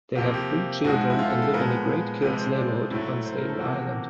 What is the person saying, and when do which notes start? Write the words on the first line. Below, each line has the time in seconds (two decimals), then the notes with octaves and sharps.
They have three children and live in the Great Kills neighborhood on Staten Island.
0.16 C3 F3 A#3 G4
0.34 G4
0.84 G#2 F3 G#3 F#4
1.10 E4
1.19 F4
1.30 A4
1.42 A4
1.53 A#2 F3 G#3 B3 A#4
2.22 C3 F3 G#3 B4
2.33 C5
2.45 C5
2.57 D5
2.91 A2 F#3 A3
3.25 C5
3.37 A#4
3.49 A4
3.59 E2 C3 F3 A#3 F#4